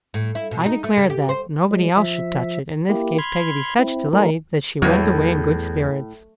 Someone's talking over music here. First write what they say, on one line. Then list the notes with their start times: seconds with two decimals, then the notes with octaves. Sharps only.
I declared that nobody else should touch it; and this gave Peggotty such delight that she went away in good spirits.
0.14 A2
0.35 E4
0.51 B2
0.66 D#4
0.84 A3
0.97 C#3
1.10 G4
1.29 C5
1.71 F#3 G#3
1.97 F3 E5
2.90 A#3 E4 G4
3.18 B5 C6 F6 G#6
3.79 C4 E4
4.13 F#3 G3 A3 D#4 A#4
4.82 E2 A2 F#3 B3